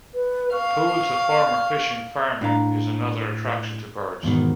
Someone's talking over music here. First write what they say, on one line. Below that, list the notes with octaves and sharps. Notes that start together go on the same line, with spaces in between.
Pools of former fishing farming is another attraction to birds.
B4
F5 C#6
A2 D4 F5 A#5
E2 G#2 B2 D#3